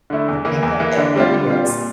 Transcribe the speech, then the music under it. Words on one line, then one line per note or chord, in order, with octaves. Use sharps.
Can't think of it, what it is.
D3 A3 E4
E2
E3 A#3
E2
E3 A#3
D3
G3 C4 F4
D3
G3 C4 F4
A#2